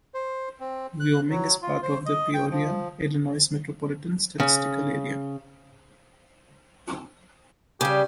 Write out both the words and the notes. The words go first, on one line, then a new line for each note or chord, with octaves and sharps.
Wyoming is part of the Peoria, Illinois Metropolitan Statistical Area.
C5
C4
F#6
F#3
F4
C5
D#5
G5
F3
C#3
C#3 G3 G4